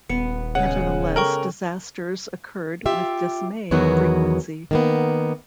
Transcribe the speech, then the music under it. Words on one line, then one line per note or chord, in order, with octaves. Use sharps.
Nevertheless, disasters occurred with dismaying frequency.
D#1 B3 C#7
C#3 G#3 F#5
A4 A#4 G5 C#6
F4 G4 E5
E2 D#3 E3 F#3 B3 F#4
D#3 A#3 B3